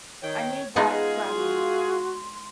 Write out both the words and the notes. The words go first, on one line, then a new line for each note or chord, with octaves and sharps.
I need that Grammy.
D#3 C#5 G5
G#3 B3 D#4 F4 G#4 D#5
F#4 C6